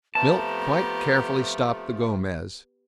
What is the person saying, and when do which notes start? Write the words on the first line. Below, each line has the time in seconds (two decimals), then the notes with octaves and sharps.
Milt quite carefully stopped the Gomez.
0.15 F2 F3 A3 B3 G4 A5 A#5